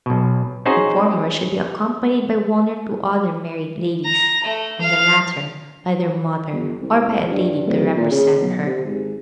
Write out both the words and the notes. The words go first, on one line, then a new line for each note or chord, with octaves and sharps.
The former should be accompanied by one or two other married ladies, and the latter by their mother, or by a lady to represent her.
B1 B2
C4 C#4 D#4 F#4 G#4 C5
A#5
A3
F5
G1
C2
G2
D1
A#2
C#3
B1
C3
G#1